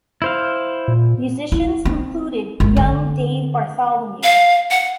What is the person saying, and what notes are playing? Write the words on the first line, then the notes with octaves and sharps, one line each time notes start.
Musicians included young Dave Bartholomew.
E4 C5 F5
A#2
E4
C4
G#1
D3
F5
F#5